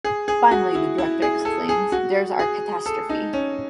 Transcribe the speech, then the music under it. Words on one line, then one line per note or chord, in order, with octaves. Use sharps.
Finally the Director exclaims: There's our catastrophe!
G#4
G#4
F#4
E4
E4
G#4
A4
G#4
F#4
G#4
A4
D#4
C#4